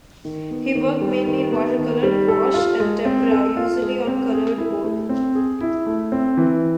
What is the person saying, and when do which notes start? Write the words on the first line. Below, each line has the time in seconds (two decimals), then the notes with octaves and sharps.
He worked mainly in watercolor, gouache, and tempera, usually on colored board.
0.25 D#3
0.51 B3
0.75 D#3
1.01 G3
1.27 D#3
1.52 B3
1.78 D#3
2.03 G3
2.28 A4
2.54 F4
2.80 G#3
3.05 C4
3.31 A4
3.57 F4
3.82 G#3
4.07 C4
4.33 G#4
4.58 E4
4.84 A3
5.09 C4
5.35 G#4
5.61 E4
5.86 A3
6.12 C4
6.37 E3